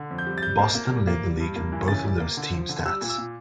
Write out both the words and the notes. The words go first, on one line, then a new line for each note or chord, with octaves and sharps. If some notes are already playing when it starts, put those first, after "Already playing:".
Boston led the league in both of those team stats.
Already playing: D3
F2
G6
G3
A6
G3 G6
A#3
A#3
G3
A#3
G3
G2
A#3
E3
C#3 A6
G3
A#3
D3
F3
D3
G3 E6
A#2
E6
A#2